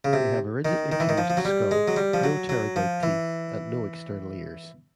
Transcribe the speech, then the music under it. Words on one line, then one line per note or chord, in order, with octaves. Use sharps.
They have a rigidly fused skull, no pterygoid teeth, and no external ears.
C#3
C3
D#3
D#3
E3
D#3
F3
F3
F#3
G3
G#3
F#3
G3
F3
F#3
F#3
F3
E3